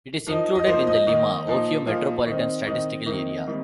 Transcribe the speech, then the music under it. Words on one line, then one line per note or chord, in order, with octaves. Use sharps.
It is included in the Lima, Ohio Metropolitan Statistical Area.
F3 D#4 A#4
D#5
F3 A#3 D#4 C5
D#5
D#3 A#3 D#4
A#2 F3 D#4
A#2 F3 A#3 D#4 F5
D#3 C4 D#4
D#3 C4 D#4 D#5
C3 D#3 A#3 D#4
C3 D#3 G3 A#3